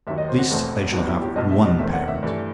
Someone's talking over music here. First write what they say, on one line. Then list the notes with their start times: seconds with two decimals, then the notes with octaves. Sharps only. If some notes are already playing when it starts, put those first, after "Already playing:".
At least, they shall have ONE parent.
0.07 D#2 D#3 F#3 E5
0.18 D#5
0.29 C5
0.39 F#4
0.51 E1 E2 B2 A3 C4
0.92 G1 G2 F#3 B3 F#4
1.08 E4
1.22 G4
1.36 B1 B2 G3 D#5
1.51 E5
1.66 D#5
1.79 E2 D#3 A3 C4 E5
1.93 F#5
2.08 E5
2.23 G2 E3 A3